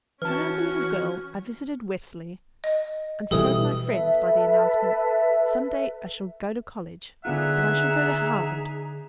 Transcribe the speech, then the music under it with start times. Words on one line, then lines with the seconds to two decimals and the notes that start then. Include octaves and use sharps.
When I was a little girl, I visited Wellesley and surprised my friends by the announcement, "Some day I shall go to college--but I shall go to Harvard!"
0.22 E3 C#4 F#4 B4 A5 F6
2.64 D#5
3.31 B2 E3 G3 A4 D#6
3.84 A4 B4 E5
7.25 D3 B3 D#4 F4 G#4 E5 F#5 A#5